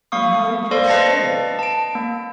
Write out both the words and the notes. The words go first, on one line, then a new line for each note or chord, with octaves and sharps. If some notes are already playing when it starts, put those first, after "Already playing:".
"And how did you escape?"
A#3 F5 C#6 D#6
A4 C5 D5 F5 C6
B4 D#5 A5 A6 A#6 C#7
A5 D7
A#3